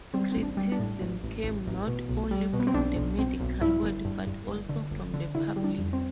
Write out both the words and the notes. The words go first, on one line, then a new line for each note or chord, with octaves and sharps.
Criticism came not only from the medical world, but also from the public.
G3 C4
A1 C4
D4
G3
D4
A2
A1
A1
A1
A1
B2
B1
G3
B2
B3
C4
B1 D4
B1
B1 C4
B1
G2 E4
G1
G2
G2
G1
D3
G1
D3
D3 E4
G3
D4
F2
C4